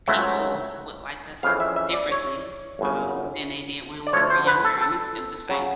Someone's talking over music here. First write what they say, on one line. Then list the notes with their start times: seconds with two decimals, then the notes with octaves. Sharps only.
people would like us differently, um, than they did when we were younger, and it's still the same.
0.08 C#2 C#3 F#3 A3 C4 E5
1.43 F2 C#3 E3 F5
1.60 E5
1.76 E5
1.93 D5
2.11 C#5
2.79 G1 F#2 C#3
4.07 D5
4.13 D2 D3 F3 C#5
4.30 C5
4.47 B4
4.65 A4
4.81 A4
5.49 C#3 F#3